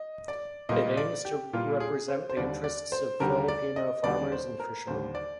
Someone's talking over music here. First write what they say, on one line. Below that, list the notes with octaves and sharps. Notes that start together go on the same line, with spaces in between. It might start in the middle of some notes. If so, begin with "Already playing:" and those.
It aims to represent the interest of Filipino farmers and fishermen.
Already playing: D#5
D5
A#2 G3 A#3 D#5
D5
G4
A#2 G3 A#3 F4
G#4
C5
C5
D#2 D3 G3 D5
D5
C5
D#2 D3 G3 A#4
D5
D#5
D#2 D3 G3 D5
C5
A#4
D#2 D3 G3 C5
D5